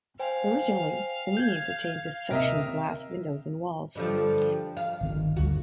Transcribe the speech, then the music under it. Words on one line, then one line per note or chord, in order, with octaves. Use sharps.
Originally, the meaning pertained to sectioned glass windows in walls.
C5 F5 G5 G#5
G6 G#6
D#2 C3 A#4 D#5 E5
G2 D3 F3
F5
G1 D#3
D2 G2 F#4